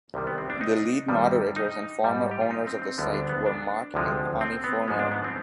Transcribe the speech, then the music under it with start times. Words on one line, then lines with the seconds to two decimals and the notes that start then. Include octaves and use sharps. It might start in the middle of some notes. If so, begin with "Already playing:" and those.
The lead moderators and former owners of the site were Mark and Connie Fournier.
0.14 C2 C3 D#3 G3
0.27 B3
0.38 C4
0.50 D4
0.61 D#4
1.08 G2 D#3 G3
1.56 D#4
2.04 G#2 G3
2.31 G4
2.41 F4
2.51 D#4
2.67 C4
2.82 C4
2.98 D2 D3 G3 B3
3.14 D4
3.29 B3
3.46 D4
3.94 D2 C3 F3 G#3
4.41 C4
4.64 B3
4.88 G#2 F3 G#3
4.99 D4
5.12 B3
5.24 C4